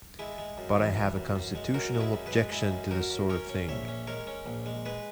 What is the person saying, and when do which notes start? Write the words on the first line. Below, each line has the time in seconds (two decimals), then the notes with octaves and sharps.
But I have a constitutional objection to this sort of thing.
0.19 G#3 E4 G#4
0.38 G#3
0.58 F#2
0.77 E3
0.97 E3
1.16 F#2
1.36 F#2
1.55 G#3
1.74 F#2 F#4 A#4
1.94 G#3
2.00 E4 G#4
2.13 F#2
2.26 G#4 B4
2.32 G#3
2.52 G#3 E4 G#4
2.71 F#2
2.91 F#2 F#4 A#4
3.11 F#2
3.30 C#4 A#4 C#5
3.49 C#4
3.69 A#1 C#5 E5
3.88 C#4
4.07 G#3 A#4 C#5
4.27 C#4
4.46 A#1
4.66 G#3
4.85 G#3 G#4 B4